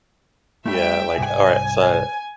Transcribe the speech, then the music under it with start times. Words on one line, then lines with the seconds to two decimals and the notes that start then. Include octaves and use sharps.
Yeah, like alright, so I
0.66 G3 A3 E5 G5
1.18 C2 G#2 G5 G#5